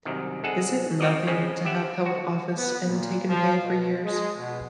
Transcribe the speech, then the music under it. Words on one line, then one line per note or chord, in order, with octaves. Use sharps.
Is it nothing to have held office and taken pay for years?
C2 F#2 C3 D#3
C2 G#3 G#4 A4 F#5
C4 F4 F#4 A#4 D5 D#5
C#3 F3 G#3 C4 C#4
G4 E5 F#5
F#4
B3
A#2
F3
B2
G#3
B2